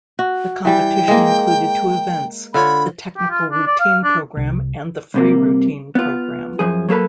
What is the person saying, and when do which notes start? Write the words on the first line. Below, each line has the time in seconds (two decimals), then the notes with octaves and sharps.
The competition included two events, the technical routine program and the free routine program.
0.19 F#4
0.65 E3 G3 G5
1.08 G#3 A#3
2.54 D3 F4 C#5 B5
3.17 G4
3.30 F4
3.52 D4
3.67 D5
3.80 F5
4.04 D4
4.37 C2
5.14 C2 C3 A#3
5.95 B3 F4
6.59 F#2 F3 G#4
6.89 F#3 A#3 A4 B4